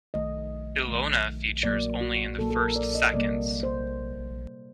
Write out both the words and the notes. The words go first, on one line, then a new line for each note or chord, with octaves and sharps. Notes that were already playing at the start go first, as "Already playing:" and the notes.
Ilona features only in the first seconds.
D#3 A3 D#5
D#3 A3
A#2 F#3 A#3 D5
F#4
A#2 F#3 A#3 A4
A4
A#4
D5
D#5
C3 G3 A#3 D5
C5